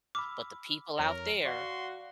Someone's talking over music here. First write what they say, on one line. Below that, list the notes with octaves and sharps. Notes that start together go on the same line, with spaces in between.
But the people out there
B5 D6 E6 F6
F2 A#4 C#5 A#5
F#4 D5 F5 F#5 C6